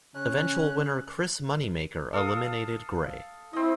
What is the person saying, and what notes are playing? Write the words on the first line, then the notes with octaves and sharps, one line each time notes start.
Eventual winner Chris Moneymaker eliminated Grey.
C#3 C#4 F#6
A4 F5 D#6
C4 E4 D#5